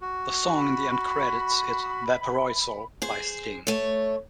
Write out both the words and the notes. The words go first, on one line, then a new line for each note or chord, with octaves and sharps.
The song in the end credits is "Valparaiso" by Sting.
F#4
B5
G#4 C5
A3 C#5